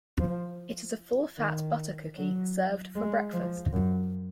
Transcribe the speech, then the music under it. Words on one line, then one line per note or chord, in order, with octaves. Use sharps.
It is a full fat butter cookie served for breakfast.
F3
D#3
F#3
G#3
F3
F#2